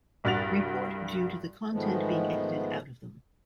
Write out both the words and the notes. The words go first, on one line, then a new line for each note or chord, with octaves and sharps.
Report due to the content being edited out of them.
C2 G2 F#4 F#6 A6 F7
G#2 D#3 F3 G#3 A3 B3